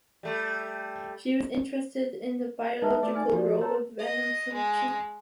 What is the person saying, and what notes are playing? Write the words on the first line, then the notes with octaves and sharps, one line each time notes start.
She was interested in the biological role of venom function.
G3 A3
G#3 D#4 B4 E5 A5
A3 D5
D#4 G#5 F6
F3 F#4 G4 D5
A4 C#5 A#5 C6
D#5
G#3